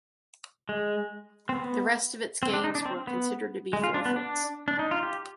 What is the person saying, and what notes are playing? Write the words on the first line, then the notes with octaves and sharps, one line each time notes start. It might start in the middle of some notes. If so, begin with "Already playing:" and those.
The rest of its games were considered to be forfeits.
G#3
C4
B3
C4
D4
D#4
D4
C4
B3
G#3
F4
D4
B3
D4
D4
D#4
F4
G4